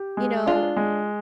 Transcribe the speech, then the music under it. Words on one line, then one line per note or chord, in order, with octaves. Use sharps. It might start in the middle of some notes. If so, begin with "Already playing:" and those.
you know,
Already playing: G4
G#3
D4 F4
G#3